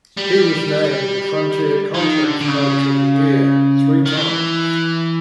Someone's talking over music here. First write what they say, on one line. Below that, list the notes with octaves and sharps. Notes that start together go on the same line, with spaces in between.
He was named the Frontier Conference Coach of the Year three times.
G3
E3
D#3
D3
D3
C#3
D#3
E3